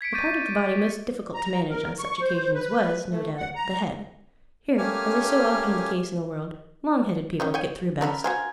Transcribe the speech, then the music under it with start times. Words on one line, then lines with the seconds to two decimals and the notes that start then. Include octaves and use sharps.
The part of the body most difficult to manage on such occasions was, no doubt, the head; here, as is so often the case in the world, long-headed people get through best.
0.01 G#6 B6 C#7 D7
0.13 C#6 D6 G6 A6 D#7
0.55 D6
1.34 A#5
1.70 A#4
1.99 C#6
2.21 C5
2.55 B4
3.10 A3
3.38 F#5
3.55 A#5
4.78 A3 A#3 C#4 G4 G#5 F6
7.40 D#3 C#4 D#4
7.54 C#5 G5 G#5
8.01 C#4 D4 A4 A#4 B5
8.24 F#4 A#4 C5 F5 G#5